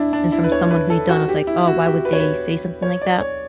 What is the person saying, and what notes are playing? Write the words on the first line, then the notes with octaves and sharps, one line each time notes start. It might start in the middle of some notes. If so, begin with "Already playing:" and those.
from someone who you don't know, it's like, "Oh, why would they say something like that?"
Already playing: D4 E4
D4
E4
B4
C#5
B4
A4
F#4
G4
E4
F#4
G4
B4
C#5
B4
C#5
D5
C#5